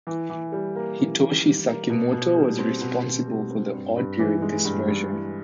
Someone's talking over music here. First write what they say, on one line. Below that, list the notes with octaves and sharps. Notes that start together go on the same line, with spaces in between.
Hitoshi Sakimoto was responsible for the audio in this version.
E3
E3
G3
A#3
E3
E3
G3
A#3
B2
B2
G3
C4
B2
B2
G3
C4
G2
G2
E3
G#3
G2
G2
E3